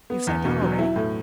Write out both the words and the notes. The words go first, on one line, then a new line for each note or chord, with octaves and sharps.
You've sat down already?
B3
E2
B2
F#3
E4
A2